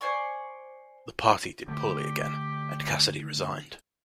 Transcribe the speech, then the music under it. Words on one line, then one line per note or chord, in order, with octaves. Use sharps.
The party did poorly again, and Cassidy resigned.
C5 D5 G#5 C#6
D3 A3 G4